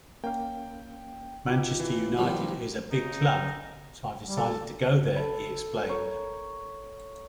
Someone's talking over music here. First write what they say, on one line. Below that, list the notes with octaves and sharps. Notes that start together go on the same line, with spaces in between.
"Manchester United is a big club, so I've decided to go there," he explained.
A#3 C#4 F5 G5
D#4 F4 G4
E3
D#3 F3 G3
C#3 D#4
G3
A4
A4 B5
A#4 C#5